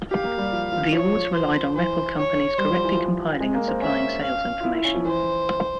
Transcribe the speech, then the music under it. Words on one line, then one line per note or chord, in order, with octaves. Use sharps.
The awards relied on record companies correctly compiling and supplying sales information.
G4 F5
A#3
G3
F3
F3
F3 C#5
C5
E3 C5
C#5
G3 C5
F3
E3
F3
G#3
A#3
C4
C#4 E5
F5
F4
E4
E4
C#4
F3
E3 C5